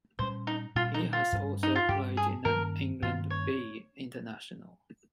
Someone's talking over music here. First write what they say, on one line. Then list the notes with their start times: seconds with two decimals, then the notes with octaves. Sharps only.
He has also played in an England B international.
0.19 A#2 G3 C#4 C5
0.47 D#4
0.75 A#2 G3 C#4 F4
0.94 D#4
1.13 F4
1.32 G2 G3 C#4
1.63 D#4
1.75 F4
1.88 G2 G3 C#4 G4
2.17 G#4
2.45 G2 D#3 A#3 C#4 A#4
3.02 G2 D#3 A#3 C#4 F4
3.30 C#5